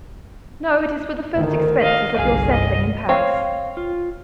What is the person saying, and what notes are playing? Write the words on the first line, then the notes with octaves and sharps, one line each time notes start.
"No, it is for the first expenses of your settling in Paris."
D2 D#3
D#5 F5
G1 C2 G#4 F5
D#5
C4 C#5 F5
F4